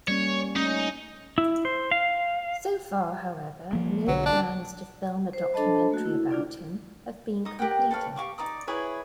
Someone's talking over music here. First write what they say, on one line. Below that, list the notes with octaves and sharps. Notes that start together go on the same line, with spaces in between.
So far, however, no plans to film a documentary about him have been completed.
G3 A#3 C#4 C#5
A3 C#4 D#4
E4
C5
F5
F3 A#3
B1 D3 F#3
D4
C5
D4 A4 C5 D#5 A5 B5
A3 A#3 F#4
E4
D4 F4 D5
D#4 D#6
G4 A#4 F#5 G5
A4 B4 C#5 F5
G4 F5 C#6 D6
D#4 D5 A#5 D#6
E4 G#4 B4 C#5